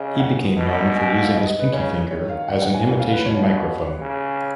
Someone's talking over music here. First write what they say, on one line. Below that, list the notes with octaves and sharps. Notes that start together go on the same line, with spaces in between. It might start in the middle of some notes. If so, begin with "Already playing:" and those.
He became known for using his pinky finger as an imitation microphone.
Already playing: C#3 D#5
F#5
B2
G#5
F#5
F5
D#5
D#5
B4
C#3 C#5
D#3 C#5
F5
F#5
F#5
G#5
C#3 F#5
F5
B4
B2 C#5
C#3